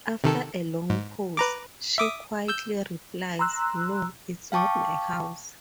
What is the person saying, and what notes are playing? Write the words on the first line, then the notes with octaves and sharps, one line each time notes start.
After a long pause, she quietly replies, No, it's not my house.
C3 D#3 A4
G#2
B4 A#5 D6
E5 D6 D#6
E6 G6
A#5 C6 E6 F#6
F5 G5 A5 C#6 D6